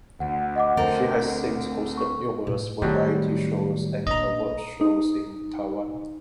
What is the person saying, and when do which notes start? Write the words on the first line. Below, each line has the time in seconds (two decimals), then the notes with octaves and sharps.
She has since hosted numerous variety shows and award shows in Taiwan.
0.20 D2 F#5
0.56 D#5 F#5 D6
0.77 D2 C4 A4 A#4
1.97 C#6
2.47 A2
2.82 A2 D#3 F#3 G3 C4
4.07 A#1 D4 D#5 A#5
4.81 D#4